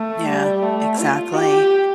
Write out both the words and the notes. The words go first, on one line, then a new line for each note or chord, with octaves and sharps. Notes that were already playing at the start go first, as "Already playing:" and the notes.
Yeah, exactly.
Already playing: A3
G3
A3
F4
G4